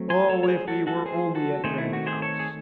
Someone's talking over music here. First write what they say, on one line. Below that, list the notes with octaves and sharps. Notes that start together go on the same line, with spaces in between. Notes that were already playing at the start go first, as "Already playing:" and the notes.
"Oh, if we were only at Granite House!"
Already playing: F#3 A3 C4
G#5 C6
A4 C#5
C#5
G#4 C5
F#4 A4
F#4 A4
G#4 C5
F#4 A4
D#3 A3 C4 G#4 C5
E4
F#4
G#4 C5
A4 C#5
G#4